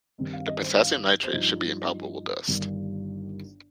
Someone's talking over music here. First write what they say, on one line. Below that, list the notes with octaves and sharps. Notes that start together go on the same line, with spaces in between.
The potassium nitrate should be impalpable dust.
G2 D#3 C4 D#4
F5
D#5
C5
F5
C5
G2 F3 D#4 D#5
G1 G2 D#3 G3